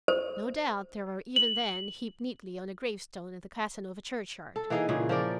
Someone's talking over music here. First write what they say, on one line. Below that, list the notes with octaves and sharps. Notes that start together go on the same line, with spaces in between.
No doubt they were even then heaped neatly on a gravestone in the Casanova churchyard!
C5
F#7
A4
E3 A#3 D#4 G#4
A#2 C#3 E3 G#4
F3 A#4 D5